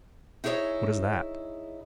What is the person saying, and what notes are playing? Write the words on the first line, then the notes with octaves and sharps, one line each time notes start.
"What is that?"
D#4 E4 G#4 A#4 C#5 D#5